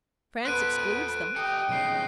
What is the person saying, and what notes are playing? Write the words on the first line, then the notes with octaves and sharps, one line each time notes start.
France excludes them.
B3 A4 B4 C5 F#6 D7 D#7
D7
G4 A4 D#5 G5 C#7
B1 C#3 C7 D7